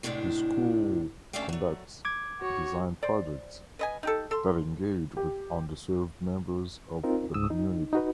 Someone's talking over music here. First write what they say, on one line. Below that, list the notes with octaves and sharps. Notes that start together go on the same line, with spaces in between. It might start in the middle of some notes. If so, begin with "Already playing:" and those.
The school conducts design projects that engage with under-served members of the community.
E2 A2 C3 G#3 D4
A3 C#4 D4 E5 F5 G5
F#3 A3
D6 G#6
F#4 C#5
C5 D5
B4 D#5 G#5
D#4 G4 A4
A4 C6
G4
C4 D#4 F4 A#4
C#2 G#2 D#6 E6
D#4
D#4 F#4 B4